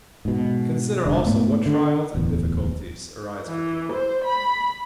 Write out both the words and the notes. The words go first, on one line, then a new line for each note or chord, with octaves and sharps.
Consider also what trials and difficulties arise for people.
G#2 B2
E1 C#3 D4
G#2 A3 B3
D3
D1 E2
E3
C5
B5